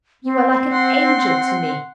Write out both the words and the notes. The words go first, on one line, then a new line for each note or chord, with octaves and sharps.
You are like an angel to me.
C4
F#5 C6